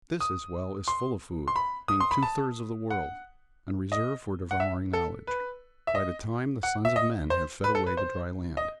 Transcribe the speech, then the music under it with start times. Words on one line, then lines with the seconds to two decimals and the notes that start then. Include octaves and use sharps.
This, as well, is full of food; being two-thirds of the world, and reserved for devouring knowledge; by the time the sons of men have fed away the dry land.
0.21 D#6
0.88 C6
1.48 C6
1.56 B5
1.88 D#6
2.00 C6
2.11 B5
2.23 A5
2.90 F#5
3.92 D#5
4.51 F#5
4.60 E5
4.93 A4
5.27 B4
5.87 E5
5.95 D#5
6.63 F#5
6.85 E5
6.96 D#5
7.30 C5
7.64 B4
7.75 A4
7.87 B4
7.97 C5
8.57 D#5